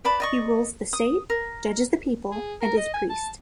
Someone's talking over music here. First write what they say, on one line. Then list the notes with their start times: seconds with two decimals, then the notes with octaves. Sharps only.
He rules the state, judges the people, and is priest.
0.04 B4 D5 A5 B5
0.20 D5 D#5 C#6
0.93 D#6
1.30 A#4
2.32 G#4
2.61 A#4
2.77 D#5
2.94 G#5
3.09 A5